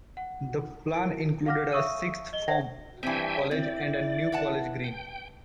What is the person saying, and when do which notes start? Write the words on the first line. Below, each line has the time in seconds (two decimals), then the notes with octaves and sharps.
The plan included a sixth form college and a new college green.
0.17 F#5
0.94 E4 A#4 D7
1.46 F5 F#5 D6 F6 A#6
1.72 E5 F5 C#6 D#6 E6 D#7
2.33 D#5 G7
2.48 C5 C#5 E5 G5 G#6 A#6
3.03 G2 E3 C4 E5 G5 G#5
3.51 C4 E4 D5
4.32 B4 F#5 A5
4.84 G5